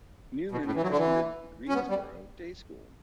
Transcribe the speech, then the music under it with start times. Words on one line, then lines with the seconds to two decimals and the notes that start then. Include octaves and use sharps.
Newman attended Greensboro Day School.
0.52 B2
0.66 A2
0.75 E3
0.82 F#3
0.90 D3
0.97 E3
1.69 C#4
1.74 B3
1.89 G3